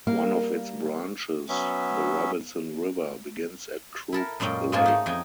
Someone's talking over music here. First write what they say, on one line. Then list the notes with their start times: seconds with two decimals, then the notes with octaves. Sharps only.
One of its branches, the Robinson River, begins at Crooked Lake.
0.07 G3 A#3 A#4 F5
1.49 F#3 B3 C#4 E5
4.13 E4 A4 A#4
4.40 F#2 A#2 G#3 C#4 G5
4.72 G#2 G#3 A#3 F4 G#5 A5
4.86 A3 D#4
5.06 F2 D#4 G5 G#5